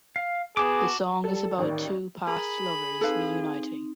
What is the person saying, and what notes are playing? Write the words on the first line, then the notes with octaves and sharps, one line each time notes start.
The song is about two past lovers reuniting.
F5
B3 F#4 G#4 A5 D6
G3 A4
A1 D#2 D#3 D5
G#4 A#4 B5
C4 D#4 A4 B4 F5